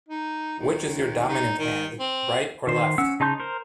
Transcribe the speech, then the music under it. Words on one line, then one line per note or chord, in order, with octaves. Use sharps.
Which is your dominant hand, right or left?
D#4
D#2
D#4
D#3
C4
D#3 C5
C#4 F#5 E6
C#3 D#4 A5 C6 G6
A#4 C5